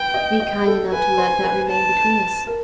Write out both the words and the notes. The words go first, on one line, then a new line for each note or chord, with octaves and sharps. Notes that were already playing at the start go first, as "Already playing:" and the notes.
Be kind enough to let that remain between us.
Already playing: B4 G5
D#5
D#5
A4
B4 G#5
C5
B4
A5
A#4